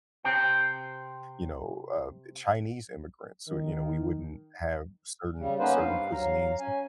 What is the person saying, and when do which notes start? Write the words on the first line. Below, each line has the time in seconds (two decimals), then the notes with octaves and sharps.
you know, uh, Chinese immigrants, who, you know, we wouldn't have certain certain cuisines,
0.25 C3 C5 G5
3.49 D#3
5.38 C#3 G3
5.59 A#3 B3 C#4 D#4 B4 C5
5.79 G2 F5
6.13 F#3 F5 A#5
6.60 C#4 G#5